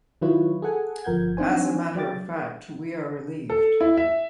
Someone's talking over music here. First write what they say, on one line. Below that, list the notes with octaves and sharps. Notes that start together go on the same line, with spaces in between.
As a matter of fact, we are relieved.
D#3 F#3 E4 F4 B4 C#5
G#4 A4 F#5 G#5
G1 F3 A#4 F#5 G6 G#6
C4 D4 D#4 C5 G#5
F#3 D5 G5 D6 A6
A4
E4
E5